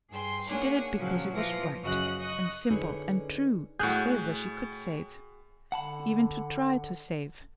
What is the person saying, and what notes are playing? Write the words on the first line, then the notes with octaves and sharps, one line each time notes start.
She did it because it was right, and simple, and true to save where she could save; even to try to save.
G2 G#4 G5 C6
A#3 D4 G#4 C#5 F#5 G#5
A#2 C#3 F3 F#3
E3 F3 F4 F5 A#6
F#2 C#3 F#4 D#5 D#6 F#6
D#5 C#6 D#6 F#6
D3 C#4 D#4 G#4 B4 C#5
A2 F#4 G#4 F#6 G6
D3 F#5 A5 B5